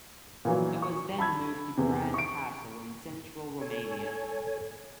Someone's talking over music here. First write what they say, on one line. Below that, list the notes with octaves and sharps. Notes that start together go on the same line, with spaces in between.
It was then moved to Bran Castle, in central Romania.
A#2 E3 F#3
C#6
A5 B5 E6 G#6
E2 C3
C#6 D7
A4 C#5 G#5